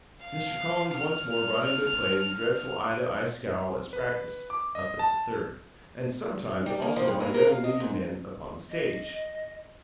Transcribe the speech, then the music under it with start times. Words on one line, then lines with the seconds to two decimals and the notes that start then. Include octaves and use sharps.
Mr. Collins once more brought into play the dreadful eye-to-eye scowl as practised "up at the Third," and, sometimes, also by young leading men upon the stage.
0.24 F5
0.98 F6
3.93 B4
4.50 D6
4.75 D#5
4.99 A5
6.66 G3
6.82 A#3
6.96 F3
7.08 G2
7.20 A#3
7.34 A#4
7.47 F5
7.64 D#5
7.80 G#2
8.71 D#5